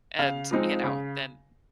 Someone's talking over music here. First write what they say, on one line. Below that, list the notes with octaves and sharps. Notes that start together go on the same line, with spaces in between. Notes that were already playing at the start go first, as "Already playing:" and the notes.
and, you know, then
C#3 F5
F3 G#3 C4 D#4
C#3